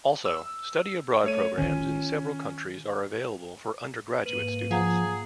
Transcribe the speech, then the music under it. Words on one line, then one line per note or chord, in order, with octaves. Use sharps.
Also, study abroad programs in several countries are available for undergraduate students.
E6
A3 C#5 D#7
D#3 C#4 F4
G#2 A#3 B4 D#7 F#7
F3 G#4 F5 F#5 A#5